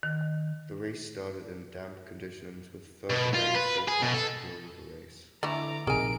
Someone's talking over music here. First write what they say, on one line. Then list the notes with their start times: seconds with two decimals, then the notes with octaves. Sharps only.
The race started in damp conditions with further rain forecast during the race.
0.03 D#3
3.10 B2
3.34 F4
3.55 B4
3.88 G#4
4.02 B2
4.14 A4
5.43 D3 E3 A3 E4 A#5 D6
5.87 A#1 C3 D#4 G#4 A#4 G#5 D7